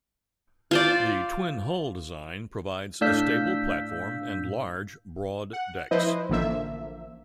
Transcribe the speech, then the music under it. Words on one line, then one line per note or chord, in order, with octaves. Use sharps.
The twin-hull design provides a stable platform and large, broad decks.
F4 C5 D5
A2 D4 F5 E6 G6 B6
F#5
F3 E4 B4 C5 D#5
A1 D3 F3 A#3 E5